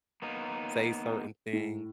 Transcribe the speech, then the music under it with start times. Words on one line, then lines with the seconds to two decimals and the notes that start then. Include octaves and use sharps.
say certain things,
0.22 A#3 B3 D#4
1.53 A2